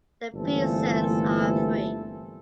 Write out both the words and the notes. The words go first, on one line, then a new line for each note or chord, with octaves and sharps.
The peasants are free.
G1 A#2 E3 A3 C4 A4